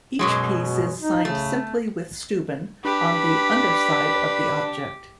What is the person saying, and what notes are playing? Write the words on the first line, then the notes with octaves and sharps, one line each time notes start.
Each piece is signed simply with Steuben on the underside of the object.
F#2 B2 F#3 G#3
D#4
C#3 A3
D4 G4 B4 B5